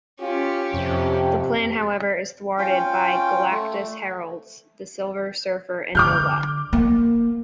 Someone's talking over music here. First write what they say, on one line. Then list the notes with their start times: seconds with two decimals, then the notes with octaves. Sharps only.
The plan, however, is thwarted by Galactus' Heralds the Silver Surfer and Nova.
0.20 C#4 F4 G4
0.74 F2 C3
2.58 C#4 F4 G5
3.51 A3
5.95 D3 D6 F6 G6
6.73 A#3